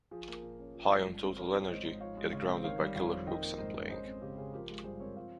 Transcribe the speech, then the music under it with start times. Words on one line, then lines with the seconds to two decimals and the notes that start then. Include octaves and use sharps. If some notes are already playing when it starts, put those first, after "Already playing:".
High on total energy yet grounded by killer hooks and playing.
0.11 F3 G#4
0.28 A#3
0.43 A#2
0.59 C#4
0.75 F3
0.91 G#3
1.07 G2
1.23 C4
1.37 F3 A#4 C#5
1.53 C4
1.59 C#5
1.69 G#2 C5 D#5
1.85 G#2
2.00 F3 C#5 F5
2.17 G#3
2.32 C#3 C#5 F5
2.48 C4
2.64 D#3 C#5 F5
2.80 G3
2.96 F2 C#5 F5
3.11 C4
3.27 D#3 D#5 G5
3.42 A#3
3.58 G#2 C5 D#5
3.75 C#4
3.89 G#3 C5 D#5
4.06 C4
4.21 C#3 G4
4.37 C#3 G#4
4.53 F3 G4 A#4
4.69 G#3
4.84 G2 G#4 C5
5.00 C4 A#4 C#5
5.16 F3 C#5 F5